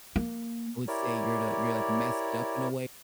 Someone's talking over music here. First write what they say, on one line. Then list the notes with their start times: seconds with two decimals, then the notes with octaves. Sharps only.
I would say you're the you're, like, messed up in a way
0.16 A#3
0.88 E4 G4 A#4 C#5 D5